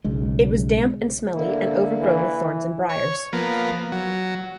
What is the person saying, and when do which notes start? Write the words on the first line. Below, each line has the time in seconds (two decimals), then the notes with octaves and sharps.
It was damp and smelly, and over-grown with thorns and briars.
0.04 B1 C#3 G#3
1.33 D3 A#3 E4
2.01 E3
2.89 C#5
3.33 F3 A#3 B3
3.92 F#3